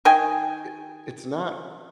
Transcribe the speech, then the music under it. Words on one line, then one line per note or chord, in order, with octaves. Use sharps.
i it's not
D#3 D#5 G5 G#5